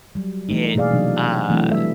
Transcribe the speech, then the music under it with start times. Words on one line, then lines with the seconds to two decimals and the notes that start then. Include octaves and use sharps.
it, uh
0.15 F#3 G3
0.49 E3 A3 D#4
0.75 B2 A#3 G#4 D5 F5
0.91 C3 E3 F#3 D4 D#4
1.50 E3 F#3 A3 C4 D4
1.69 G3 A3 E4 A4 E5